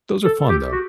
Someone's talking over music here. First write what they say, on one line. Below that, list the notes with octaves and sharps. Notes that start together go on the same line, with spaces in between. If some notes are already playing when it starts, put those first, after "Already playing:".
Those are fun, though.
A4
G4
F#4